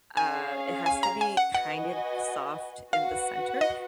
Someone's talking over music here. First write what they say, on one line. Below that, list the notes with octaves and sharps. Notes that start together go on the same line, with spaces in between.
uh, it has to be, kind of, soft in the center
C#4 G#4 C#5 F5 G#5
G#5
A#5
G#5
F#5
F#4 B4 D#5 F#5 G#5
F#4 B4 F5 F#5
D#5